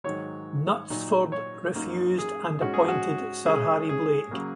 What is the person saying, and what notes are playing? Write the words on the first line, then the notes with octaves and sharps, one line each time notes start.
Knutsford refused and appointed Sir Harry Blake.
G#2 D#3 F#3 C#5
A#2 F#3 D#4
C#5
F#2 F#3 A#3 D#4
G#4
G#2 G#3 C#4 F#4
G#4
F#4
C#3 G#3 C#4 G#4
G#4
C#3 F#3 A#3